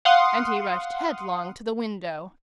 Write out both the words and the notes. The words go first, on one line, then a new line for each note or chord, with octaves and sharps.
And he rushed headlong to the window.
F5 F#5 C6 D#6